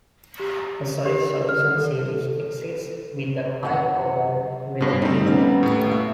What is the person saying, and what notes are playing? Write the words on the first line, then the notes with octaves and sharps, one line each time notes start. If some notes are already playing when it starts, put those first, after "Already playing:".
A solid solution series exists with the high cobalt willyamite.
G4
G4
F6
A4
F#2 G4 F#5
G2 B2 C5
G3 A3 C4 D#4
D#2 B3 C#4
A2 A3
E5